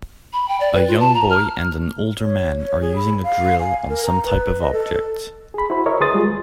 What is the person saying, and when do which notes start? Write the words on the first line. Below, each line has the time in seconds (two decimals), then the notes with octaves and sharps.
A young boy and an older man are using a drill on some type of object.
0.33 B5
0.48 G5
0.60 D5
0.73 B4
0.88 F4
1.00 A5
1.14 A#5
1.30 F6
2.20 C#5
2.61 C#5
2.81 G#4
2.96 B5
3.24 F5
3.60 G#5
3.89 A#4
4.06 A#5
4.25 B4
4.60 D#5
4.73 A4
5.54 G#4 B5
5.70 E4 F#4 C5 B5
5.86 A#4 C#5 D#5 E5
6.00 D2 G#4 B4 C6 D#6 A6
6.14 G3 G#3 F4 G#4
6.28 D#2